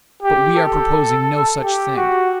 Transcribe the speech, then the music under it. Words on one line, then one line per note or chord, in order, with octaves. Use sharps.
But we are proposing no such thing.
G4
A4
G4
F#4